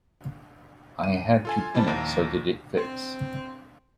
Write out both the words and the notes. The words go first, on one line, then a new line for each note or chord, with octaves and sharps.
I had to pin it so that it fits.
D#7
F4 A4 G#5
G3 E4 G4 C5 A5
A#1 D#2 A#5 D7
C4